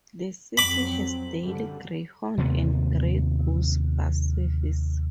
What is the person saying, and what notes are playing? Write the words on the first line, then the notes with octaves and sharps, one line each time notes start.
The city has daily Greyhound and Grey Goose bus service.
F2 F#3 C4 B5 D6
F#2 D3 G3
D#2 C3 G#3 B3